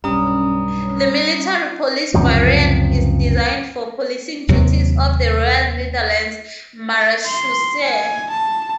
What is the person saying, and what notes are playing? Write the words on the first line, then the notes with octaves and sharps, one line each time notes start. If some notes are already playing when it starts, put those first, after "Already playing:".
The military police variant is designed for policing duties of the Royal Netherlands Marechaussee.
B1 G2 G3 C#4 A#5 D#6
C#2 F#2 C3 F3
D#2 C3 F#3
C6
G#5
A5